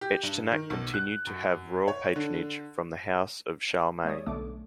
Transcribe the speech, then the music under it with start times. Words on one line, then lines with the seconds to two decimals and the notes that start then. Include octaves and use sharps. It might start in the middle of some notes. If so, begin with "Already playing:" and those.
Echternach continued to have royal patronage from the house of Charlemagne.
0.01 G4
0.23 G2
0.52 D#3
0.70 B1
0.94 F#6
1.27 F#2
1.88 C#5
2.16 D3
4.05 G#3 C#5 D5 D#6
4.26 B1 D3 A3 D6